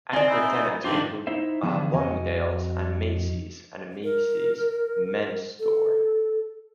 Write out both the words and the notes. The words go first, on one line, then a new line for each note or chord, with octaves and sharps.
Anchor tenants include Bloomingdale's and Macy's, and a Macy's mens store.
C4 D5 D#5 G#5
D#4 E4
G2 D#3 C4 D4 F4 G4 C5
D#4 E4 C5 E5
D3 E3 F3 B3 G#4 A5
F2 F#4 D#5 G#5
A#4
A4